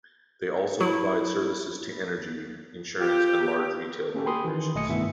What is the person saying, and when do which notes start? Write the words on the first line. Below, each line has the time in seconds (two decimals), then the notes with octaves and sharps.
They also provide services to energy, insurance and large retail corporations.
0.81 F#3 E4
2.99 F4 G4
4.14 A#3 C#4 G4 A4
4.26 G5 G#5 B5 C6 D#6
4.44 D#3 E3
4.75 B1 A3 D#5 G#5 D#6 C#7
4.89 G2 D#3 A3 B3 E4 E5